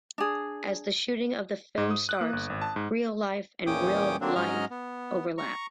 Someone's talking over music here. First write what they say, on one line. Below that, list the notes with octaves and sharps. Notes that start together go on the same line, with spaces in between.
As the shooting of the film starts, reel life and real life overlap.
D4 G#4
G#2
D#6
F#6
A#3
G1
G#1
A5
G#2
E2 A#2 C#4 G5 D6 D#6
D3 F#3 A#3 C4 D4
G#2 F#3 C#4 D#5 A#5 F6
B3
A#5 C#6